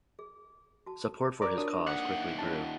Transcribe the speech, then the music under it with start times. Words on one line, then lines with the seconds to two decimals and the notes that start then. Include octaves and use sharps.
Support for his cause quickly grew.
0.19 G#4
0.86 F#4 A5
1.42 F4 A#4 D5 A#5 D6
1.58 D4 F#4 A#4 C#5 D#6
1.88 D#2 F#5
2.39 C#4 F4 C#5 A5